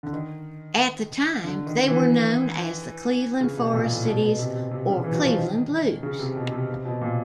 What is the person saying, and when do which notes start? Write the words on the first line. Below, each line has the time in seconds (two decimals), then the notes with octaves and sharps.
At the time, they were known as the Cleveland Forest Citys or Cleveland Blues.
0.03 D3
0.13 D#3
1.44 D3
1.66 D#3
1.88 E3
3.41 C#3
3.57 B2
3.73 A#2
3.90 A2
4.07 B2
4.23 B2
4.39 C3
4.55 C3
4.71 C3
4.89 C#3
5.04 E3
5.13 F#3
5.21 F3
5.38 D#3
6.03 C#3
6.19 C3
6.36 B2
6.52 C3
6.69 C3
6.85 B2
7.01 A#2